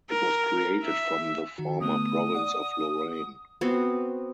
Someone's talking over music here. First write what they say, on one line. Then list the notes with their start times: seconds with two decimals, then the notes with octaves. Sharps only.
It was created from the former province of Lorraine.
0.10 A#4
0.83 E5
1.58 D#3 F#4
1.81 D3 A3 B3 D#6
2.34 D5 F#5
3.61 B3 C4 F#4